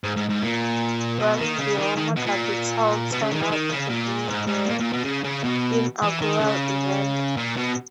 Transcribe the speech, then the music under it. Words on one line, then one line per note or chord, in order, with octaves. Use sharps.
Rally di Roma Capitale turned out to be the inaugural event.
G#2
G#2
G#2
A#2
B2
D#3
C#3
D#3
D#3
B2
A#2
B2
C#3
D#3
E3
D#3
C#3
A#2
G#2
G#2
A#2
A#2
B2
C#3
C#3
B2
E3
D#3
C#3
A#2
B2